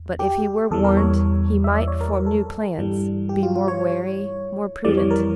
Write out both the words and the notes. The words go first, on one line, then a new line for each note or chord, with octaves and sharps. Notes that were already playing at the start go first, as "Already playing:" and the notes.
But if he were warned, he might form new plans, be more wary, more prudent.
Already playing: E2
G4
E2 E3 G3 A4
A#4
C#5
E5
D5
C#5
A#4
A#4
A4
G2 E3 G3
G4
F4
F4
C#5
F2 E3 G3 D5
C#5
A#4